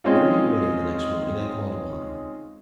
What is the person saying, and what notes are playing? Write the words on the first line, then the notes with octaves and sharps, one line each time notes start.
Very early the next morning I called upon her.
G#3 C4 C#4 D#4 F4